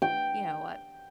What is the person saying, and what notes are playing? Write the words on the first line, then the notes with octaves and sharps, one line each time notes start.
you know, uh,
G5